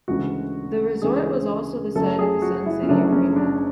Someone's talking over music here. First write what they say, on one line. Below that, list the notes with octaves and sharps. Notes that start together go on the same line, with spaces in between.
The resort was also the site of the Sun City Agreement.
D2 C#3 E3 G#3 F#4
D2 C#3 E3 G#3 G#4
F#1 F#2 C#3 F#3 A3 A4
G#4
F#4
E4
C#4
F#1 F#2 C#3 F#3 A3 D4
C#4
D4